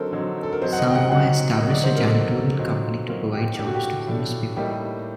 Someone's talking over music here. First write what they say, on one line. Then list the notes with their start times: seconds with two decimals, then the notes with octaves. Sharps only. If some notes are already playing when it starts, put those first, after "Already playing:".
Samoa established a janitorial company to provide jobs to homeless people.
Already playing: D3 F#3 C4 D#4 A4 A#4 C5
0.12 D3 F#3 C4 D#4
0.43 A4
0.53 A#4
0.62 F#3 C4 D#4 C5
0.73 F#5
0.79 D#5
0.90 G5
0.95 F#5
1.11 F#3 C4 D#4 F#5
1.56 F#3 A#3 D#4 D#5
1.70 D5
1.84 C5
1.96 A#4
2.09 F#3 A#3 D#4 A4
2.59 A#2 F#3 C4 D#4
3.08 A#2 F#3 C4 D#4 A#4
3.33 G4
3.57 A2 A3 D4 G4
3.67 F#4
3.75 G4
4.07 A2 A3 D4
4.56 A2 G3 A#3 D#4 G4